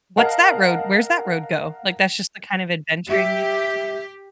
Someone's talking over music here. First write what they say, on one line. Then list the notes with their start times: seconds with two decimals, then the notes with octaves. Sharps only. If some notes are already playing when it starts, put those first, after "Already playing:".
"What's that road? Where's that road go?" like, that's just the kind of adventuring we like to do-
0.17 A#4 D#5 F5 F#5 A5
3.09 G4 E5